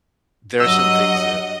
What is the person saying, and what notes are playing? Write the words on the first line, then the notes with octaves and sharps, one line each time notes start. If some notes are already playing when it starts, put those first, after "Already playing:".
there are some things that
G2 F#3 D#5 F#5 E6